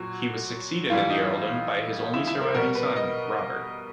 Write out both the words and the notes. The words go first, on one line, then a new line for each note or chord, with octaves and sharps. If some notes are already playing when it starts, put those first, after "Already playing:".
He was succeeded in the earldom by his only surviving son, Robert.
Already playing: A#2 F#3 F#4
A2 E3 G3 F4
D#4
E4
E4
A#4
B2 G3 A#4
B4
D#5